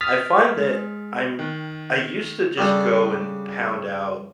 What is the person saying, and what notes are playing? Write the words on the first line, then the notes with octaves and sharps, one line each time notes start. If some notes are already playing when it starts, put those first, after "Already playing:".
I find that I'm I used to just go and pound out,
D#6 F6 A6 B6
G#3
D#3 G5 F#6
C#3 G3 D4 A4